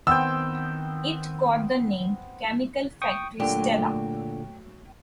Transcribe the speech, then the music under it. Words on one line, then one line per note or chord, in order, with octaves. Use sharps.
It got the name Chemical Factory Stella.
D#3 B3 C4 G5 E6
G5 C#6 D#6
A#2 D3 F#3 A3 G4